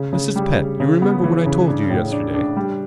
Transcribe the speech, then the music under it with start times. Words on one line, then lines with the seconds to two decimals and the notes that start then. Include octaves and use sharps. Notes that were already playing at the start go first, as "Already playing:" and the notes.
"Mrs. Pett, you remember what I told you yesterday?"
Already playing: C#3
0.13 C#3
0.36 G3
0.58 C#3
0.80 C#3
1.02 B3
1.24 E3
1.46 C#3
1.67 D4
1.90 A2
2.12 D4
2.34 D4
2.57 G3